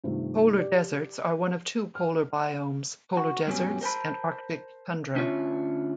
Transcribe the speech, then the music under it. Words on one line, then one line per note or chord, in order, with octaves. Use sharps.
Polar deserts are one of two polar biomes: polar deserts and Arctic tundra.
G2 C3 D#3 A3 F4
G4 D5
F6
F#4
G2 B2 F#3 G3 C#4
A#4 C5 A5 B5
D2 C#4 D4 F4 C#5 E5